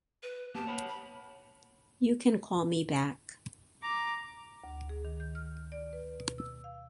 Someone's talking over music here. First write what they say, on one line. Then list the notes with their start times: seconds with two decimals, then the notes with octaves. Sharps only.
You can call me back.
0.23 B4
0.55 A#3 B3 G4 A5
0.67 C#5 F#5 B5
0.88 B5
3.83 A#5 D6
4.64 D2
4.89 G#4
5.05 D#3
5.20 G6
5.35 F6
5.72 D5
5.93 B4
6.20 B2
6.38 E6
6.64 F5